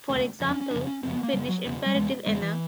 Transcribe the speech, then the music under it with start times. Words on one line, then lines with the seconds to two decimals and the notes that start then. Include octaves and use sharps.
For example, Finnish imperative anna!
0.09 E1 D2 C#3
0.40 F#1 F2 C#3
0.51 C#4
0.61 C#4
0.71 F#1 F2 C#3 D4
0.87 C#4
1.03 F#1 F2 C#3 C4
1.13 B3
1.23 A#3
1.33 F#1 F2 C#3 G3
1.49 F#3
1.65 E1 E2 C#3
1.86 G3
1.95 E1 E2 C#3 G#3
2.26 E1 E2 C#3 G#3
2.42 E3